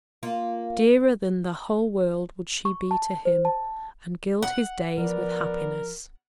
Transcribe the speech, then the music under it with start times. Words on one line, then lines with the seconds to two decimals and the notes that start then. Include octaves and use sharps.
Dearer than the whole world would she be to him and gild his days with happiness.
0.23 A#3 F4
2.65 C#6
2.91 A5
3.25 C5
3.45 A5
4.42 F#5
4.98 F3 B3 A#4 B4 D5